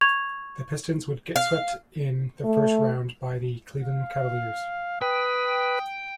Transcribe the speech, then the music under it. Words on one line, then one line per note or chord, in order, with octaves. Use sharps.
The Pistons would get swept in the first round by the Cleveland Cavaliers.
C#6 G#6 F7
F5
A3
F5
B4 G5 D#6